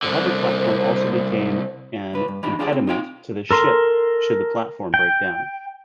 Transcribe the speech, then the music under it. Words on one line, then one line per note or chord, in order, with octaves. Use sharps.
The hover platform also became an impediment to the ship should the platform breakdown.
C2 D3 C5
C#2 B4
G2
E2 D4 D#4 G4 B5
D4 F4 G4 G#4 D5
C4
D#4 F4 G5
A4 A#4 C6
G5